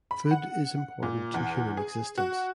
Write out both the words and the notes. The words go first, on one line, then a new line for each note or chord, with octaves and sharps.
Food is important to human existence.
B5
F#5
A#2
E2
G#4
F#4